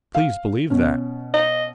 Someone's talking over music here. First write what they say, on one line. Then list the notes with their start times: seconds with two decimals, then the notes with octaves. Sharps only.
"Please believe that."
0.15 F5
0.70 B2 C#4
1.34 D#5